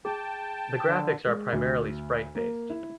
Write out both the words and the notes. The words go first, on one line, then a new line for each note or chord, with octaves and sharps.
The graphics are primarily sprite-based.
G#4 G5 A5
D3
G#3
D2
A#3
E4